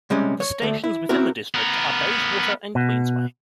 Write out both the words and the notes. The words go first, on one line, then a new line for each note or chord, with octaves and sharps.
The stations within the district are Bayswater and Queensway.
C3 G3 G#3 C#4
C#5
D2 A3
E4
C4 E4 F#4 A#4
B3 A#4
B2